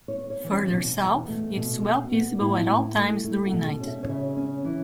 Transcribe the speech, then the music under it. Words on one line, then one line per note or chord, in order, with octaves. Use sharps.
Further south, it is well visible at all times during night.
C#5
B3
C#5
E3
C#4
B2
E2
A3
B2
B3
B3
A2 E4
A2
A3
A3 E4
F#4
B2
A4
C#4
E5
C#5
C#3 E5
C#4
E3